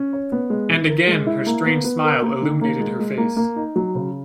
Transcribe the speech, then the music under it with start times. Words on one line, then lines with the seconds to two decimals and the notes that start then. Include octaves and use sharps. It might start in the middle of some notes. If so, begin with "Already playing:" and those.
And again her strange smile illuminated her face.
Already playing: C#4
0.13 C#5
0.32 B3
0.50 G#3
0.69 E3
0.89 A#4
1.07 G#3
1.26 E4
1.46 A#3
1.65 B3
1.84 B3
2.04 A#4
2.22 A#3
2.42 D#3
2.61 A#3
2.79 G#3
2.99 G#3
3.17 A#3
3.37 A#3
3.56 D#4
3.76 F#3
3.95 C#3